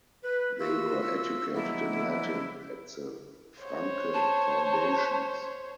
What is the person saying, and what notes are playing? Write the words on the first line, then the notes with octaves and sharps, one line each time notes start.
They were educated in Latin at the Francke Foundations.
B4
F4 F#4 A#4 E5 F5 E6
F3 F#3 G#3 A#3 B3 E4
C5 C#5
A5